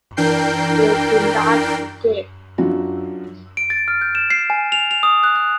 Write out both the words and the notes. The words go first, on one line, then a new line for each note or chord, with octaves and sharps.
We do not forgive!
E3 D4 A#4 G5 G6 C7
F#2 D4 F4 F#4
D7
A6
F6
G6
E7
C7
G#5
F7
F7
D#6
F#6
F#6